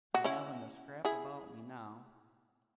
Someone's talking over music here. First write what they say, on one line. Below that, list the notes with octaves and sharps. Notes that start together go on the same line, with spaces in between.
I haven't a scrap about me now.
F#4
C#4 E4
E4 G#4